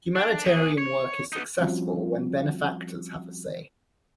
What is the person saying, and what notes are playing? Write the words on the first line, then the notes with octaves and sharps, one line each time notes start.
Humanitarian work is successful when benefactors have a say.
D4
E2 G#4
C#5
B3 D#4
F3 G3 C4 C#4 F4 F#4